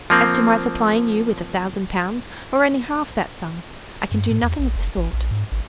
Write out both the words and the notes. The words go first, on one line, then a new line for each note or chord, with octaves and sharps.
As to my supplying you with a thousand pounds, or only half that sum, I can do nothing of the sort.
F3 A#3 C4
G2
A2
E2
A#1
F#1
G#1
A#1
G#2
G#1